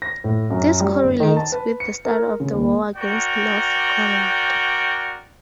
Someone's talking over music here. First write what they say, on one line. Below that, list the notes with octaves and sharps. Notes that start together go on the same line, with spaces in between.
This correlates with the start of the war against Novgorod.
A#6
A2
F#2
G3
G1
D#3
A5
B4
C#7
A#4
C#3
D#2
F#4 A#4 D5 G5